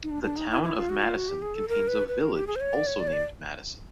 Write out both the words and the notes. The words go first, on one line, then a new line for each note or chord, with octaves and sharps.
The Town of Madison contains a village also named Madison.
D#4
D4
D4
D#4
E4
E4
F4
F#4
F4
F#4
G4
G#4
A4
A#4
B4
B4
A#4
G4
G#4
C5
C#5
D5
C#5
D5
C#5
D5